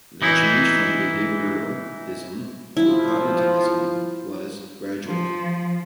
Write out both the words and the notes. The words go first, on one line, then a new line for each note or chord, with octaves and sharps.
The change from behaviorism to cognitivism was gradual.
E3 D#4 E4
F3 E4
F3